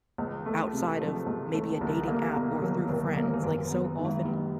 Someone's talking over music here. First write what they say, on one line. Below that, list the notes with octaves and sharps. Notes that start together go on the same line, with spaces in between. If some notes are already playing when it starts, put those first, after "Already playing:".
m outside of maybe a dating app or through friends, like, so often
C#2 E3
A3
C3
F3 F#3
C#2
E3 A3
C2 D3
A#3
B2
D#3
D3 F#3
C2 D3
D#3 A#3
E3
D#3
F#2 D3
D#3
B3
D#3
D#3
G#3
G3 A#3